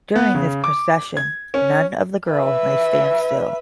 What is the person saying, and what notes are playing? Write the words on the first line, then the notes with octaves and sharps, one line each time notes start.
During this procession, none of the girls may stand still.
B3
C#3
D6
G#6
C#4
B4 E5